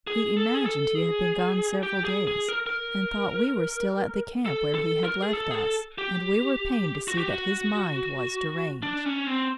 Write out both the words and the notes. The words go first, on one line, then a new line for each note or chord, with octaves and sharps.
He imagined he had been gone several days, and thought we were still at the camp where he had left us; and we were pained to see that his mind was deranged.
G#4
A4
G#4
A4
G#4
G4
G#4
G#4
A#4
A#4
A4
A4
A#4
G#4
A4
G#4
A4
G4
F#4
G4
F#4
D4
C#4
C4